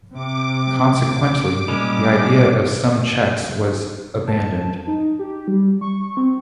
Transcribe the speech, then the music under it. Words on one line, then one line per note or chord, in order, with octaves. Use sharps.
Consequently the idea of sum checks was abandoned.
C3 D6
D6
A#2 G3 G#3 C#4
A5
A5
D#4
G4
G3
C#6
C4